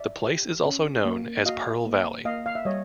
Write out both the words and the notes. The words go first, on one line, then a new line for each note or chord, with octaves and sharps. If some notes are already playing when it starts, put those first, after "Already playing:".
The place is also known as Pearl Valley.
Already playing: D5 E5
G4
C#4
A#3
F#4 D#5 F5
A#3
A#3 D#5 F5
F5
E5
G3 C#5 D#5